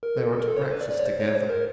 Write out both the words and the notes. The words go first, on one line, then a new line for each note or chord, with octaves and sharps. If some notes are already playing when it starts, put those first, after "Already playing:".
They are at breakfast together.
A#4
A4
A4
A#4
A4
C#5
C5
B4
D5
D5
C#5
C5
C#5
C5
A#4